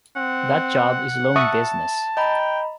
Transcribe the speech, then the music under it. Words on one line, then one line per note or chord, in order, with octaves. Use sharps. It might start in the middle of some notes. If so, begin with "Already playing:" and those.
That job is loan business.
C4 F#5
E5 A5 C#6 D#6
D#5 G5 A#5 B5